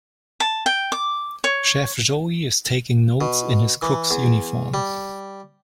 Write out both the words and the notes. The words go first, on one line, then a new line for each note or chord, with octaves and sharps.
Chef Joey is taking notes in his cook 's uniform.
A5
G5
D6
C#5
B2
E3
E2
G3